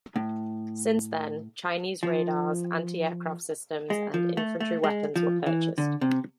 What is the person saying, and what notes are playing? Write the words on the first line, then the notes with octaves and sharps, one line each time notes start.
Since then, Chinese radars, anti-aircraft systems and infantry weapons were purchased.
A2
F3
G#3
F3
A3
A3
G#3
F3
E3
D3
C3